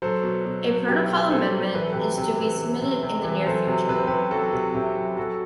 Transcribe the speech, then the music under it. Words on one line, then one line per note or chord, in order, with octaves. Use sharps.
A protocol amendment is to be submitted in the near future.
F#3 A4 C5
B2
B2
F#3
F#3 G4 B4
B2
B2 A4 C5
F#3
E3 B4
A4
C3 G4 B4
C3
E3
E3
C3
C3
E3
F#3 A4 C5
C3
C3 B4
C5
F#3 G4 B4
F#3 F#4 A4
C3
C3 E4 G4
F#3
F#3 F#4 A4